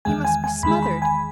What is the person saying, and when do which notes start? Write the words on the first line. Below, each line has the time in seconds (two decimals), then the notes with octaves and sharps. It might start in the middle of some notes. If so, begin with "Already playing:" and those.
He must be smothered.
0.05 E2 D#3 G#3 G#5
0.25 G#5
0.44 G#5
0.63 E2 D#3 G#3 B5
0.83 B5
1.02 G#5